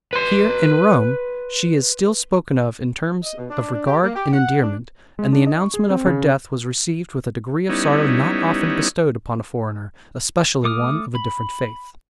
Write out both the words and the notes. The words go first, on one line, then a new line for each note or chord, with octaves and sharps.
Here, in Rome, she is still spoken of in terms of regard and endearment, and the announcement of her death was received with a degree of sorrow not often bestowed upon a foreigner, especially one of a different faith.
B4 C6
D#5
B2
D4
D4
G4
A#3
G4
F#5
D4
G#3
D4
D#5
C#6
G#4
C4
C#3
G3 B3 C#4 D#4 E4
A3 D6 D#6 F6
B5